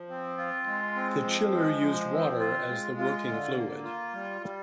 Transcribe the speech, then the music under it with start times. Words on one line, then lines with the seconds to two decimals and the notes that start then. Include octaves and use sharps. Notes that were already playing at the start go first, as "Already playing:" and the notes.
The chiller used water as the working fluid.
Already playing: F3
0.09 C4
0.38 F4
0.66 G#3
0.95 C4
1.24 F3
1.53 G#3
1.82 F3
2.12 C4
2.40 F4
2.69 G#3
2.97 F4
3.27 D3
3.55 A#3
3.84 F4
4.14 G3
4.41 G3